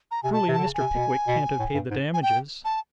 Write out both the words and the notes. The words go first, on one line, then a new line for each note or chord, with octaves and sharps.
Surely Mr. Pickwick can't have paid the damages.'
A#5
C3 G#5
B2 A5
C3
D3 A5
C#3
G#5
C3
B2
B2
A2
G2
G#2
G#5
G5
A5